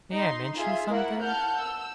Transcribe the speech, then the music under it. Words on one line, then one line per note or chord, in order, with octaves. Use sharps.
May I mention something?'
D#4 C6
F4 G#4 E5
A#3 E4 A#4 F#5
F#5 A5 F6 G6
E6